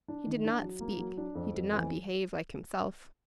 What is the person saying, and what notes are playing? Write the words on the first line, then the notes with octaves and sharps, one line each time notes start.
He did not speak, he did not behave like himself.
D4
D#3
D4
F#3
A#3
F#3
D4
F2
F2
E3